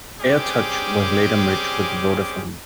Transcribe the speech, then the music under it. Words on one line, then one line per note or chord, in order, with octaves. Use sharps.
AirTouch was later merged with Vodafone.
G3 C4 C#4 G4 G#4 D6